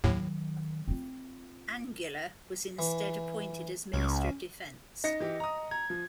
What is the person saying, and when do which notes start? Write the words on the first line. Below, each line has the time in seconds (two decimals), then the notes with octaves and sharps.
Angula was instead appointed as Minister of Defense.
0.04 D#2 A2 D#3 F#3
0.88 C4 F4
2.79 E3
3.94 C#2 C#4
5.04 D#4 D#5 A#6 C#7
5.20 E3 G4
5.40 A#5 D#6
5.71 A#5 G#6
5.90 F3